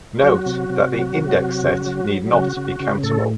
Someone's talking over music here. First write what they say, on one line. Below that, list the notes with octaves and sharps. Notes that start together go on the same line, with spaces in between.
Note that the index set need not be countable.
F#3 F#4
C3
C3
F#3
C3
F#3
C#3
F#3
F#3
C#3 F#4
C#3
C#3
A2 A4